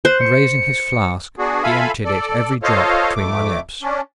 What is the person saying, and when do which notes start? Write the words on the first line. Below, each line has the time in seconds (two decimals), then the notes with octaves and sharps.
And raising his flask he emptied it every drop between my lips.
0.05 C5 F#6
0.20 C#7
1.37 B3 D4 F#4 G#4
1.63 F4 A4 E5 F5 G#5 B5
2.05 A4 D5
2.63 F4 A4 C5 C#5 D#5 F5
3.16 F2 A3 D6
3.82 C#4 D4